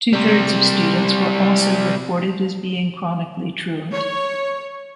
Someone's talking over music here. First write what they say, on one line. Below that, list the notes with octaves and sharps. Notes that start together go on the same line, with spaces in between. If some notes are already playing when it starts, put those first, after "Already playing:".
Two thirds of students were also reported as being chronically truant.
C3 G3
C#5